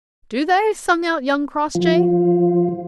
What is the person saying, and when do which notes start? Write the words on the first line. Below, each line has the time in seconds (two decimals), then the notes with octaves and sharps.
"Do they?" sung out young Crossjay.
1.75 F3